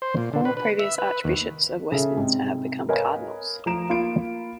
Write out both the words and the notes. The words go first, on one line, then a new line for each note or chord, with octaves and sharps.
All previous Archbishops of Westminster have become Cardinals.
C5
A#2
D3
B4
B4
E5
B4
D#2
C#3 A4 E5
G#2 C3
A#4 B4 C#5 D#5 F5 G#5
F3 A3 A4 A#5 D7 E7
A#3 F4 B5 D7